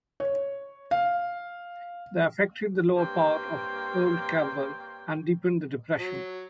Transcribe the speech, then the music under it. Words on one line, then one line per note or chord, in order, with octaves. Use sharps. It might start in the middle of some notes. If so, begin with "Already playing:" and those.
The affected the lower part of old Carver and deepened the depression.
C#5
F5
G2 A#3 C4 C#5 G5
F#3